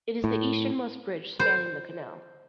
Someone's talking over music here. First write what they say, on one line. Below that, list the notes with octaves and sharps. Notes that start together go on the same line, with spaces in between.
It is the easternmost bridge spanning the canal.
A2
C5